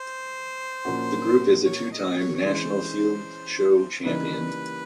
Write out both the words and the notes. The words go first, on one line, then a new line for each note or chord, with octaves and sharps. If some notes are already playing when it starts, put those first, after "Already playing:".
The group is a two-time national field show champion.
Already playing: C5
A#2 F3 A#3 C#4 F#4
C#5
D#5
C#5
C#5
E3 G#3 C#4 C5
C#3 E3 G3 A#3 D#4 B4